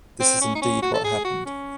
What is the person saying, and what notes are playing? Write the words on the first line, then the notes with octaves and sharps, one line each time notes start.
This is indeed what happened.
C4
C#4
D#4
C#4
F#4
A4
G#4
F#4
C#4